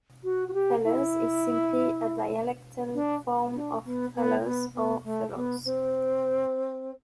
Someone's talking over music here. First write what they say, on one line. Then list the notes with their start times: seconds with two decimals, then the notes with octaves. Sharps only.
"Fellers" is simply a dialectal form of "fellas" or "fellows".
0.24 F#4
0.48 F#4
0.53 G4
0.84 E4
2.94 D4
3.54 D4
3.84 B3
4.14 B3
4.44 B3
4.74 B3
5.04 A3
5.34 B3
5.64 C4